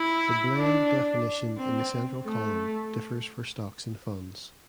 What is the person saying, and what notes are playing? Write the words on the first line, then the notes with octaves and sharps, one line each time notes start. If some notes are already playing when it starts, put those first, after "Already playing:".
The "blend" definition in the central column differs for stocks and funds.
Already playing: E4
D4
C4
A3